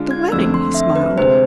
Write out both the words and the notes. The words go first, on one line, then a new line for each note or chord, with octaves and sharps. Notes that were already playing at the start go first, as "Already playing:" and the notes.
"The wedding," he smiled.
Already playing: D3 G#3 D4 F4
G#6
F2 D3 A3 E6
C6
E5
B4
D2 C3 G#3 C5